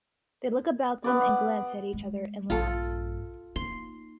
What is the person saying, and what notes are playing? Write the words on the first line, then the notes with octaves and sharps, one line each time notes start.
They looked about them and glanced at each other and laughed.
B3 B4 D5
G#3
A#1 G2 F4 A4
A#3 D#4 C6